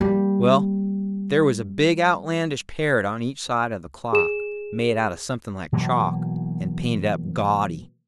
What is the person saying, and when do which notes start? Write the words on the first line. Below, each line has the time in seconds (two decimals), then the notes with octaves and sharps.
Well, there was a big outlandish parrot on each side of the clock, made out of something like chalk, and painted up gaudy.
0.01 G3 A#3
4.13 G#4 E7
5.72 B2 E3 F#3 A#3